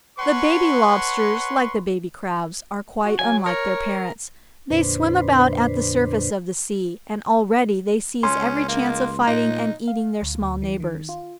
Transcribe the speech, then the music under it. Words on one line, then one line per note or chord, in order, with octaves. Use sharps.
The baby Lobsters, like the baby Crabs, are quite unlike their parents. They swim about at the surface of the sea, and already they seize every chance of fighting and eating their small neighbours.
B4 C#5 F#5 A5 C6 C#6
F#4
F#3 G#5
A#4 C#5
F2 A#2 D3 D4 B4 C5
C#2 C#4 C6
A#3
A#2 D#4
F5
D2
D2
E3
D#3
F4